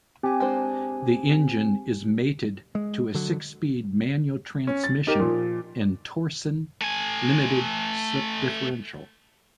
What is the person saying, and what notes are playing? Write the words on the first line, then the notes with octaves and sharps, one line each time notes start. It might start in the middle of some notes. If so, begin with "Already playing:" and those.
The engine is mated to a six-speed manual transmission and Torsen limited slip differential.
C4 G4 G#5
G#3 D4 C5
G#3
D3 F#3
C#4
A6
D#4 G4 A#4
A#2 F3
A3 G#5